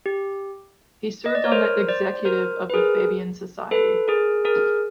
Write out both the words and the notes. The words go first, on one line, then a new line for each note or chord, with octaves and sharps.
He served on the executive of the Fabian Society.
G4
D#5
D5
C#5
A#4 C5
C5 D5
A#4 C5
B4
G#4 A#4
A4 B4
G#4 A#4
G#4 A#4